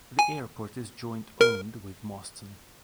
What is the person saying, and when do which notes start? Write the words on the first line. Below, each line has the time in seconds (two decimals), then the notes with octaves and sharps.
The airport is joint owned with Mauston.
0.19 G#5
1.41 A#4